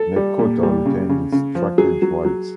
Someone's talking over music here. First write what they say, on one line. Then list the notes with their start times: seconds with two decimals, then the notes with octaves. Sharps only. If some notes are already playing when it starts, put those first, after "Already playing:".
Nebkota retained its trackage rights.
Already playing: A4
0.16 G3
0.39 A#2
0.63 G3
0.86 C#3
1.09 C#3
1.32 C#3
1.55 F3
1.78 F#3 G#4
2.02 F#3
2.25 F#3